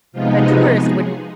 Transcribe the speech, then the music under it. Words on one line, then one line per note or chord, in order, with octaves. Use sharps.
a tourist wouldn't
C3 F3 G#3 B3 D#4 F4
F#4
G#4